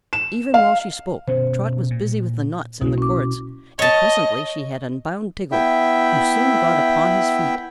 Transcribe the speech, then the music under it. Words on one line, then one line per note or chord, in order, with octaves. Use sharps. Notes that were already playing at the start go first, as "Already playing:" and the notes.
Even while she spoke Trot was busy with the knots in the cords, and presently she had unbound Tiggle, who soon got upon his feet.
E7
F5
B2 C#4 C5
A#2
B1 B2 A#3 E4 F#4
C#4 D6
C#5 D#5 A5
B3 E4 E5 G5